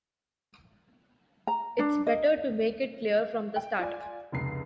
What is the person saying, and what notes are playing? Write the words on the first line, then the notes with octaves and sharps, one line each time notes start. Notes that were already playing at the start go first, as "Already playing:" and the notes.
It's better to make it clear from the start.
A#5
D4
D#5
G5
F4 D5 G#5
F1 C#2 C7